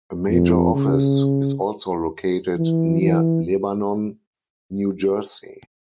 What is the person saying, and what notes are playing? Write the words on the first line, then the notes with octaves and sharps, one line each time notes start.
A major office is also located near Lebanon, New Jersey.
F2
C#3
E3
E3